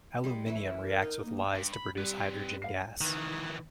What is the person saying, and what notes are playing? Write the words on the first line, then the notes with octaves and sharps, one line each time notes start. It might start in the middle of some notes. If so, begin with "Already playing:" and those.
Aluminium reacts with lyes to produce hydrogen gas.
G3 G#3
E3 A3 E4
A#4
D#4
A#3
G2
B5
G3 C4 B4
B4 F5 C7
D#3 E3